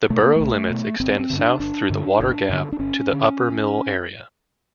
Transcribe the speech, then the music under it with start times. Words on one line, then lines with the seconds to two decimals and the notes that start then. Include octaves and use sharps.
The borough limits extend south through the water gap to the Upper Mill area.
0.10 B2 A3
0.23 A#3
0.36 B1 A3
0.70 B2
1.00 G1 C4
1.19 C4
1.30 G2 D3
1.39 D4
1.60 G1 D4
1.90 G2 D3
2.20 G1
2.49 G2 D3
2.72 D4
2.79 G1 C#4
3.13 D3